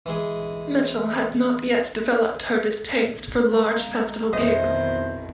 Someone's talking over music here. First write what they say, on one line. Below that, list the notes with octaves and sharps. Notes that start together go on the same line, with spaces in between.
Mitchell had not yet developed her distaste for large festival gigs.
E3 G#3 G#4
F2 G#3 A#3
F2 B2 D#3 E3 C5 D#5